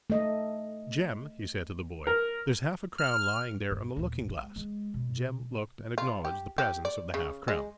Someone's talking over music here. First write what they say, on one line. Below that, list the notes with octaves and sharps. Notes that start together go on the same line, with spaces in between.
"Jem," he said to the boy, "there's half a crown lying there on the looking-glass." Jem looked and acknowledged the presence of the half-crown.
A3 D#5
A#4
F6
G2
D#1 D2
G#3
G#3
B2
F4
G4
G4
D5
C#3
G#3